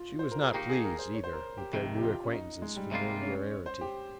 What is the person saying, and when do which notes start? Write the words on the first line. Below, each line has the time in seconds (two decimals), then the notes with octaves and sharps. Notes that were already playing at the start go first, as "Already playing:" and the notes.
She was not pleased, either, with their new acquaintance's familiarity.
Already playing: F4
0.19 C5
0.31 A#4
0.42 G#4
0.54 D#3 A#3 D#4 G4
0.70 G#4
0.84 A#4
0.99 C5
1.14 C#5
1.24 C5
1.33 A#4
1.58 G4
1.73 F2 C3 D#3
1.98 G4
2.03 F4
2.24 C#4
2.32 D#4
2.62 G#3
2.76 G3
2.91 C3 G3 G#3 A#3 F4
3.21 C#4
3.51 C#5
3.66 C5
3.81 G4